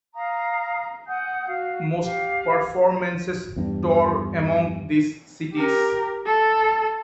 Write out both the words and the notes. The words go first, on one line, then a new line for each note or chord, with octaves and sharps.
Most performances tour among these cities.
F5 A#5 D#6
F#5 G#5 D#6 G6
F#4 F5
G4 F5
E2 G2
G4 A#4
A4